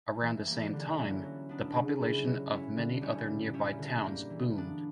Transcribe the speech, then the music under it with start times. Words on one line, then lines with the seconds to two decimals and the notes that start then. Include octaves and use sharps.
Around the same time, the population of many other nearby towns boomed.
0.21 E3
0.46 G3 A#3
0.73 D3
0.98 F#3 A#3 C#4 E4
1.23 F#3
1.49 B3 D4
1.75 C#3
2.00 G3 C#4 E4
2.26 F#3
2.51 C#4 E4
2.77 D3
3.01 G3 C#4 E4
3.28 A#2
3.53 G3 C#4 E4
3.79 D3
4.04 G3 A#3
4.30 E3
4.55 B3 D4